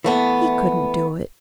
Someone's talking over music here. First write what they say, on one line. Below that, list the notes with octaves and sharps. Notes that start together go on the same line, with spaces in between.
He couldn't do it.
E3 A3 B3